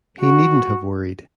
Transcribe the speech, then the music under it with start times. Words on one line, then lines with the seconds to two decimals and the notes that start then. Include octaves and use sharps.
He needn't have worried.
0.21 F#4